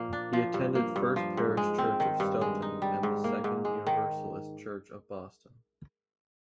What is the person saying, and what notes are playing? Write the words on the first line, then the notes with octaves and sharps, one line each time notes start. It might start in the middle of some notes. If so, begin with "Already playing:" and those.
He attended First Parish Church of Stoughton and the Second Universalist Church of Boston.
Already playing: A#2 F3 A#3
D4
F3
G2
A#3
G2
F3
G#2
G#3
C4
D#3
G2
G#3
D#4
G3
G#2
A#3
G#2
G#3
D#3